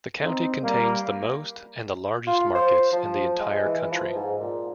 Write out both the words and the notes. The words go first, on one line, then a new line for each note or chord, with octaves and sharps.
The county contains the most and the largest markets in the entire country.
C4 D#4
G3 A#3
F4
C5
F3
G#3
E3
F3
G#2
A#2